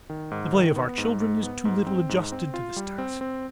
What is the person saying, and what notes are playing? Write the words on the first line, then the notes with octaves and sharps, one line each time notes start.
The play of our children is too little adjusted to this task.
D#3
G#2
D#3
B3
G#2
G#2
B3
G#2
C4
G#2
C4
F4
G3
C4
C4